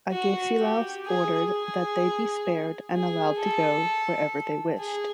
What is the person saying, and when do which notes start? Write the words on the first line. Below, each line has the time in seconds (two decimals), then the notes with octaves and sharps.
Agesilaus ordered that they be spared and allowed to go wherever they wished.
0.11 F#4
0.59 G4
1.06 G#4
1.51 G#4
2.92 G#4
3.39 A4
4.78 G#4